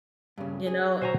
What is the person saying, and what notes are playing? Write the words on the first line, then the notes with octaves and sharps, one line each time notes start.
You know
G2 C#3
G#4
F#3 F#4 C5 G#5 A#5